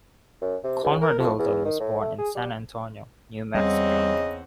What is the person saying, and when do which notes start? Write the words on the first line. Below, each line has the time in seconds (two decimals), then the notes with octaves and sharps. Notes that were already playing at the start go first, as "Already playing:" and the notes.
Conrad Hilton was born in San Antonio, New Mexico.
0.41 F#2
0.64 C3
0.84 C#2
1.01 A#4
1.19 F2
1.39 E2
1.65 D#3
1.80 A2
2.00 A3
2.18 G#4
2.35 G3
3.55 E2 C#3 G3 C4 D#5 F#5